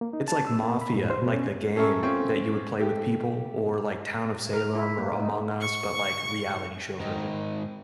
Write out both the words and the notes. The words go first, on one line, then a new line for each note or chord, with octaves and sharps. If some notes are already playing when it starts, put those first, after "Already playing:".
it's like mafia, like the game that you would play with people, or like Town of Salem, or Among Us, but like, reality show version.
A#3
D#4
A5
E6
A#3
B5
A2
C5
B2
C#4
C#4 A4 A#4 E5 C#6
A3 C4 C#4 F4 C#6
A3 G4
A#4
E4
A#3
D#4
C#6
G#2 D#3